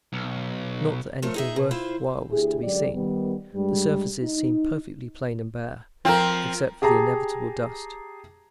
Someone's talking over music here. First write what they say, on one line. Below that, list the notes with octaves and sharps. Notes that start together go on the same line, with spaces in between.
Not that anything worth while was to be seen; the surfaces seemed perfectly plain and bare, except for the inevitable dust.
B1
F3 A3 A4 A#4 C#5
D#4 G#4 E5
B2
E4 F4 C5 F5
D2 E4 G4 G#4
F#2 D3 F#3 G#3 G4 D5
D#3 G3 B3
G2 G3 G#3
D#4
F3 C4 F4 A#4
G4 G#4 A5 A#5